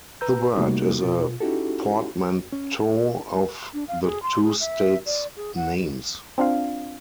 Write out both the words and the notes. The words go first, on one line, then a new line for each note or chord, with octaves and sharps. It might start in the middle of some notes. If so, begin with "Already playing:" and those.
The word is a portmanteau of the two states' names.
B4 A#5 E6 G6
C3 G3 A3 A#3 D#4 F#4
B2 F4
C#4 D#4 E4 F#4 G4 A4
C#4
D4
F5
G#4
C6
G#4
E5
D5
G#4
F#5
C4 D4 F4 F5